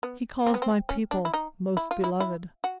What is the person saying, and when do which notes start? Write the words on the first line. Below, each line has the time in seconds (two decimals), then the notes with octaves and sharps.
"He calls my people 'most beloved'."
0.03 B3
0.47 C4
0.54 B3
0.62 C4
0.89 C#4
1.11 D4
1.25 E4
1.34 D#4
1.77 E4
1.91 F4
2.04 E4
2.20 E4
2.64 F#4